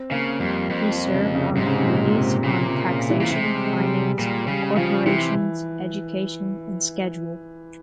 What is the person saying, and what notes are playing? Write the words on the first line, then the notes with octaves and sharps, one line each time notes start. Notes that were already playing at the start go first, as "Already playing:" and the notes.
He served on the committees on taxation, finance, corporations, education and schedule.
Already playing: C4
C#3 A#3
F2 G3
F2 G3
F3
C3
C#3
C3
C#3
G#2 C3
C#3
C3
A#2
A#2
C3
A#2 C#3
C3
C#3
E3
A#2
C3 G3
G#3
G3
G#3
G3
G#3
G3
A#2 G3
C#3 G3
C#3 F3
C3 E3